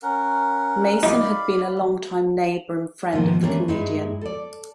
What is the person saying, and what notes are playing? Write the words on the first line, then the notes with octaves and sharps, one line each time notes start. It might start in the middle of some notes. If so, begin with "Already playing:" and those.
Mason had been a long-time neighbour and friend of the comedian.
C#4 A#4 F#5
D#4 D5 F5 B5
G#2 B2 D#3 F3 G3 A#3
E3 G3 A#3 B3 C#4 D4
G2 G#3 D#4 E4
A4 D5